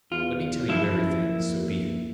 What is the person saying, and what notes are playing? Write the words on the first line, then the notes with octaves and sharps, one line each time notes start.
Let me tell you everything, so be it.
E2 F4
F#2 F3 E4
A#3